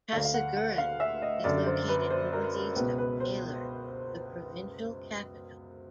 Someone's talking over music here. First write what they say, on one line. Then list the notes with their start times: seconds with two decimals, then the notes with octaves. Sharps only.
Casiguran is located north-east of Baler, the provincial capital.
0.13 D3 F5
0.16 D2
0.25 F5
0.34 F#5
0.57 F#5
0.78 F5
1.00 E5
1.22 D#5
1.44 F#2 D3 D5
1.66 C5
1.88 B4
2.10 C5
2.33 A#4
2.55 A#4
2.76 C#2 B2 B4
2.98 B4
3.20 C5